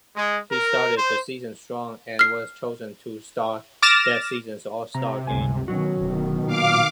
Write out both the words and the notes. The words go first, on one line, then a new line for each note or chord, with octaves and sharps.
He started the season strong, and was chosen to start that season's All-Star Game.
G#3
A#4
C5
F6 C7
D6 F6 A6 A#6 E7
C3 A#5
G1 C#2 G#5
B2 D#3 F#3 C#4 F#4
D1 B2 D#3
A#2 F5 D6